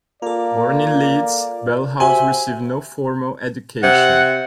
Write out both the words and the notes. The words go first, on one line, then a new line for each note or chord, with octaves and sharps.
Born in Leeds, Bellhouse received no formal education.
A#3 F4 A4 D5
F#4 G4 C5 E5 G#5
C3 F#5